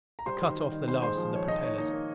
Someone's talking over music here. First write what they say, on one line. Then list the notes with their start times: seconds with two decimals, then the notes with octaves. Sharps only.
I cut off the last of the propellers.
0.19 A#5
0.26 G3 C5 C6
0.42 D#3
0.57 G3
0.72 D#3
0.88 A#2 C5 C6
1.02 G#3 C5 C6
1.17 F3
1.33 G#3 C#5
1.48 D#3 D#4 D#5
1.63 D#3 C#5
1.78 A#3 D#4 D#5
1.93 A#3